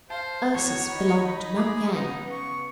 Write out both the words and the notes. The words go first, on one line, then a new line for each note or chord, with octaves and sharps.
Ursus belonged to no gang.
C5 F5 A5
E2 F#4 C#5 C#6
D#4 B5
G#4 A#5 D6 D#6
C#3 B3 D#4 F#5
C#6